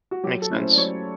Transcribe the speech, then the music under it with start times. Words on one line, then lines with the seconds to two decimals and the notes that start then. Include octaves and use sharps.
Makes sense.
0.11 F#4
0.24 F#3 G4
0.42 A4
0.50 A3 C#4 E4
0.60 C5
0.72 D5
0.77 F#3 C#5